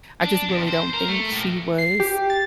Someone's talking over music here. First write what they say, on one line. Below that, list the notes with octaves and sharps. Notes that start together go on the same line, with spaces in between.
I just really don't think she was,
D4
F2
C5
A#4
A3
A2 A#3
C7
G4
A6